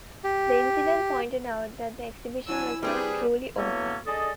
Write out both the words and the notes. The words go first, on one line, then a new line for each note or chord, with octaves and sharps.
The incident pointed out that the exhibition was not truly "open".
G4
F#3 D4 E4 G#5 E6
G3 C4 D4 G#4 B4
E3 F#3 A#3 B3 C#4 A4
D4 G#4 A4 D5 D#5